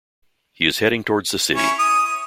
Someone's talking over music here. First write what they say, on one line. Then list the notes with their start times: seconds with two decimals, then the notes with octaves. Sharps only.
He is heading towards the city.
1.56 C#4 E4 C#5
1.79 D#6